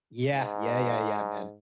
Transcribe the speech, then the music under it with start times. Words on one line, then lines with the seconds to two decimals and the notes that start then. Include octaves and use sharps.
Yeah. Yeah, yeah, yeah, man.
0.32 G#2